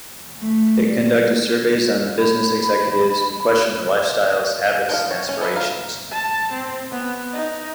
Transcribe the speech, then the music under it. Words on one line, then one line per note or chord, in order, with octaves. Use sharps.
It conducted surveys on business executives and questioned their lifestyles, habits and aspirations.
A3
G3
B5
F3 D#5 F5
C#5
C#4
F#3 B4 D#5 E5
F5 A#5
A5
C4
B3
D#4